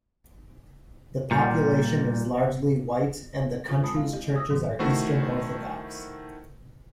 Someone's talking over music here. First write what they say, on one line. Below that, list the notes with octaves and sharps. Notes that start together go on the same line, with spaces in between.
The population is largely white, and the country's churches are Eastern Orthodox.
A#2 G3
B2 C4 F4 C#6
G#3 A5 B5 D#6
C4 E4 F5
G4 D#5
D#6 E6 A#6
G#2 B2 D#3 F#3
D#3 A3 E4 F#4 C5